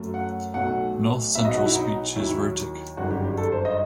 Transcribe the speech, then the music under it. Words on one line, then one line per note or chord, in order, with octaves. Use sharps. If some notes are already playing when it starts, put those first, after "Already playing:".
North Central speech is rhotic.
Already playing: F#2 F#3 A3
F#5
B1 B2 A3 F#5
B1 B2 F#3 B3 E5
D#5
F#4
E4
D#4
D#2 D#3 F#3 E4
G1 F#2 D#3 F#4
G4
G4
A4
C5
D#5